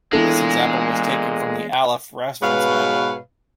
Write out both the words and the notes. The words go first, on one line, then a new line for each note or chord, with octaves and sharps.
This example was taken from the Alef reference manual.
A#2 E3 G#3 B3 D4 E4 A4
G#2 B2 B4 C#5 F5